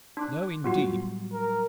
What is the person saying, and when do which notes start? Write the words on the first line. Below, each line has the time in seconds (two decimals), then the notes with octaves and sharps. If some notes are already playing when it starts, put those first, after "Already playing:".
No, indeed.
0.17 D4 C6 D6 F#6
0.64 A2 F#3 G3 B3 F4 F#4
1.33 A#4